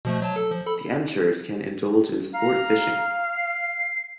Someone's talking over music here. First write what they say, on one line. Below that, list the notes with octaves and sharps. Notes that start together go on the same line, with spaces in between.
The amateurs can indulge in sport fishing.
B2 F3 A3
F#3 A5
A4
F3
A4 B5
F5 A#5
C7